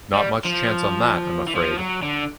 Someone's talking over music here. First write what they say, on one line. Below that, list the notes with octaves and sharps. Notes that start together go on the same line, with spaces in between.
Not much chance on that, I'm afraid.
G3
F3
E3
F3
F#3
D3